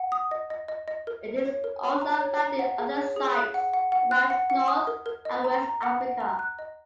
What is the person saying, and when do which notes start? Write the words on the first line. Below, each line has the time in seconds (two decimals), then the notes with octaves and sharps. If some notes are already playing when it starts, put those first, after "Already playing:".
It is also found in other sites around North and West Africa.
Already playing: F#5
0.12 D#6
0.31 D#5
0.50 D#5
0.68 D#5
0.88 D#5
1.07 A#4
1.25 A#4
1.45 C#5
1.64 A#4
1.84 C#5
2.02 A#5
2.21 C#5
2.40 A#5
2.59 F#5
2.78 G#4
2.97 C#5
3.16 G#4
3.35 F#6
3.54 F#5
3.73 F#5
3.92 F#5
4.11 F#6
4.30 F#5
4.50 F#5
4.68 D#6
4.87 A#4
5.06 A#4
5.25 D#5
5.44 A#5
5.63 A#5
5.83 F#5
6.01 F#5
6.20 A#5
6.39 F#6
6.59 D#5